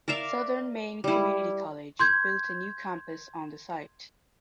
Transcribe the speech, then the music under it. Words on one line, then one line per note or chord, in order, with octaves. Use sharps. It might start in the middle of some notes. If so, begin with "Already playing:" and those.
Southern Maine Community College built a new campus on the site.
A#4 D5 E5 F5
G3 E4
C6 G6 G#6